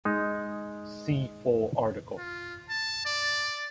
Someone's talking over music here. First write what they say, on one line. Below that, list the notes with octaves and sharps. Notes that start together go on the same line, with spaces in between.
See full article.
G#3 D#4
F4
A5
D5